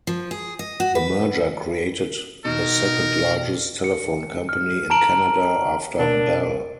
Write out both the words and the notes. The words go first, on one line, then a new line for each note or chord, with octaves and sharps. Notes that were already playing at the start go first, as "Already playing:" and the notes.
The merger created the second largest telephone company in Canada after Bell.
F3
G#4
D#5
F#4
B4
B2 D#4 A#4
C#7
F6
A5 A#5 D7 F#7
B2 D4 A#4